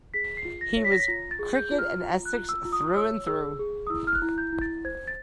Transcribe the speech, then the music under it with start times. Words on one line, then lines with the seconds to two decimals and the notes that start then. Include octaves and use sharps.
He was cricket and Essex, through and through..
0.14 G#4 B6
0.37 C7
0.45 F4
0.61 A#6
0.77 C#5
0.85 B6
0.92 A#6
1.00 B6
1.08 F4 A#6
1.31 A6
1.39 G#4
1.55 G6
1.71 F4
1.78 F6
2.02 F4
2.25 F#6
2.34 F4
2.49 E6
2.65 F4
2.73 D#6
2.96 C#5 E6
3.27 G#4 E6
3.59 G#4
3.87 D#6
3.90 E4 E6
4.07 F6
4.14 F#6
4.22 E4
4.38 G6
4.53 E4
4.61 A6
4.85 C5 G#6
5.08 A6